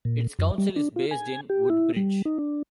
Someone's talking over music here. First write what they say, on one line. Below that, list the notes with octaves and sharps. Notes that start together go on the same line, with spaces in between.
Its council is based in Woodbridge.
A#2
F#2
G3
D4
F4
G#5
G4
E4
G3
D#4
D4